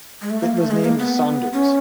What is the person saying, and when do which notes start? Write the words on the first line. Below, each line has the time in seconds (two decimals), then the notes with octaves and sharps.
It was named 'Saunders'.
0.22 G#3
0.30 A3
0.43 A#3
0.58 A3
0.71 G#3
0.85 A#3
0.98 B3
1.53 C#4